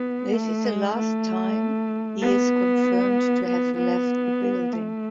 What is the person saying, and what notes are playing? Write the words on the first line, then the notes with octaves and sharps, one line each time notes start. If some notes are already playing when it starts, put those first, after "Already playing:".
This is the last time he is confirmed to have left the building.
Already playing: B3
A3
G#3
A3
B3
B3
B3
A3